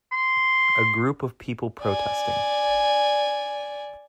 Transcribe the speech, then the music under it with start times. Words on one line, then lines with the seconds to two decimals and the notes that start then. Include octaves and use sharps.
A group of people protesting.
0.12 C6
1.82 D5 G#5